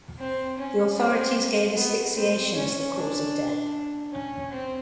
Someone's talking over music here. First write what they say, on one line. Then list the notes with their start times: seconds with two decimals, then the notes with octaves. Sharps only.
The authorities gave asphyxiation as the cause of death.
0.19 C4
0.58 C#4
0.97 C4
1.76 B3
2.15 C4
2.54 C#4
2.94 D4
4.12 C#4
4.51 C4